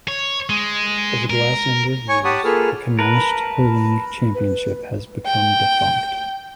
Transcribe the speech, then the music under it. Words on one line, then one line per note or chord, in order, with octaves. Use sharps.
Over the last number of years the Connacht Hurling Championship has become defunct.
C#5
G#3
A#4
C#5 G#5 C#6
G4 C#5 F#5 A5 B5 D#6
A#3 F4 G#4 A4 B4 F6
A#4 B4 A5
B4
G5